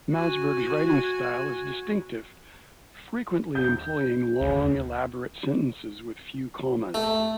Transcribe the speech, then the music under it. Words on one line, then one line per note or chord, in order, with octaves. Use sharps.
Malzberg's writing style is distinctive, frequently employing long, elaborate sentences with few commas.
F#4 G#5
G6
D2
A3